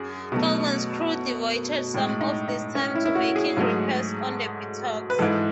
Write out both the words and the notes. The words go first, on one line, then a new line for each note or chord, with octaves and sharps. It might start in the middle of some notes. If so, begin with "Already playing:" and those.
Colburn's crew devoted some of this time to making repairs on the bateaux.
Already playing: F#2 G#4
B2 F#3 A3
A2 G#3
D#4
D#4
C#4
E4
E4
F#4
G#4
G#2 F#3 A3
B4
G#2 E3 G#3 A4